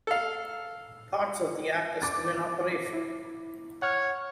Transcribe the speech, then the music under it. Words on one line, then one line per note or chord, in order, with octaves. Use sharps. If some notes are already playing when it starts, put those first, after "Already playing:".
Parts of the Act are still in operation.
A4 F5
D6 A6
E4
C#5 F#5 F6